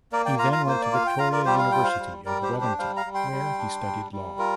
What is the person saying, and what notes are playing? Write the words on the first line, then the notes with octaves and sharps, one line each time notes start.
He then went to Victoria University of Wellington, where he studied law.
A#3 A#4 D5
D5 G5
F4 F5 A#5
F5 A#5
A#3 C5
D5
F4 F5
G5
F4 F5 A#5
A#4 D5
G3 G4 C5
F5
F4 G5
C5 F5
G3
G3 A#4 D5
G4 C5
D4
G4 C5
G3 C5 F5
F5 A#5
G3
G5 C6
G3
D4
G3
G3
F4 A#4